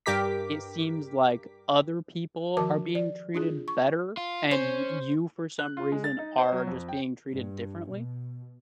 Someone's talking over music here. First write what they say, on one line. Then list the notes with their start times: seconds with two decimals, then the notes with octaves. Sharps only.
it seems like other people are being treated better and you you, for some reason, are just being treated differently?
0.06 G2 G4 A#4 D6 B6
2.57 D#3 F3 F#4 A#4 A5 D6
2.95 D5
3.35 D4 F4 G#4
3.68 C#6
4.17 F4
4.51 C#4 C5
5.59 F#6
5.77 F4
5.92 G#3
6.04 A6
6.19 D#4
6.38 C5
6.52 F#3
6.67 F2
6.89 G5
7.29 G2
7.88 B2